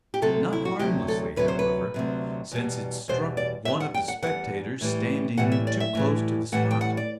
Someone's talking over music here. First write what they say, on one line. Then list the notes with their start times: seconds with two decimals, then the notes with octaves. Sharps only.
Not harmlessly, however: since it struck one of the spectators standing too close to the spot.
0.14 G4
0.22 D2 C3 F#3 A4
0.53 E4
0.65 F#4
0.79 D2 C3 F#3 G4
1.08 A4
1.36 D2 C3 F#3 B4
1.48 C5
1.59 B4
1.94 D2 C3 F#3
2.52 E2 B2 G3
3.08 E2 B2 G3 C5
3.37 D5
3.65 E2 B2 G3 E5
3.80 F#5
3.94 G5
4.08 F#5
4.23 E2 B2 G3 F#5
4.81 A2 E3 G3
5.37 A2 E3 G3 F#5
5.52 E5
5.67 D5
5.80 E5
5.95 A2 E3 G3
6.52 A2 E3 G3 F#5
6.71 G5
6.81 F#5
6.97 D5